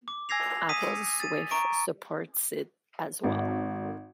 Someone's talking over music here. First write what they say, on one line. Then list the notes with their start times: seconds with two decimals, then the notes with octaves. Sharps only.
Apple's Swift supports it as well.
0.08 D6
0.29 G#5 E6 G#6 A#6 C7 F7
0.69 D#6 B6 D#7
1.20 A6 D#7
1.51 A#5 C#6 D7
3.24 G#1